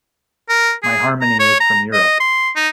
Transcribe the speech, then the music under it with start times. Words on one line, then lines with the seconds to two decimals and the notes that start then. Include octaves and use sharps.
My harmony is from Europe.
0.49 A#4
0.83 G#4
1.21 A#5
1.39 C#5
1.60 A#5
1.93 D#5
2.20 C6
2.56 D#4